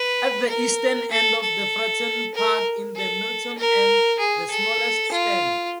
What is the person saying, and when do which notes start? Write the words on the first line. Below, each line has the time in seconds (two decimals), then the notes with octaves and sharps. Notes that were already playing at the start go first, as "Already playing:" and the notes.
At the eastern end of Fratton Park is the 'Milton End', the smallest stand.
Already playing: B4
0.49 A#4
1.11 A4
1.41 A4
2.35 A#4
2.96 A4
3.58 A#4
4.19 G#4
4.50 A4
5.12 F4